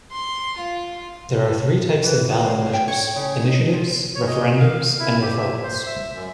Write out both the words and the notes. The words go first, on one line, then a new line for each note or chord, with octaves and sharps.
There are three types of ballot measures: initiatives, referendums, and referrals.
C6
F4
E3
D#3
A2
G5
C#5
C#3
D#4
F4
C#5
D#5
F5
E4
G4
E5
C5
E5
F#2